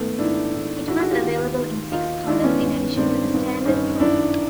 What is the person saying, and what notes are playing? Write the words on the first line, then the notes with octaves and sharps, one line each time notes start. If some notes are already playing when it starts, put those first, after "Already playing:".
It was available in six colors in addition to the standard chrome.
Already playing: G#2 D#3 A3 B3
G#2 D#3 D4 E4
G#2 D#3
G#2 D#3 E4 F#4
F#4 G#4
F4 G4
D#2 D#3
D#2 D#3
D#2 D#3 D#4 F4
D#2 D#3 D4 E4
B3 C#4
G2 D#3
G2 D#3 C4 D4
G2 D#3
G2 D#3 C#4 D#4
F#2 D#3 D4 E4